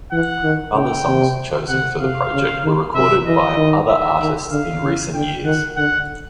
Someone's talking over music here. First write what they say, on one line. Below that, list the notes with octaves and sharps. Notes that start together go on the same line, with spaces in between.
Other songs chosen for the project were recorded by other artists in recent years.
E3 F#5
D#3
C#3 G5
C3
C3 F#5
C3 F5
C#3
D#3
C3 E5
E3 D#5
D#3
E5
D#3
D3 F5
C#3
D3 G5
D#3 F#5
D3 F#5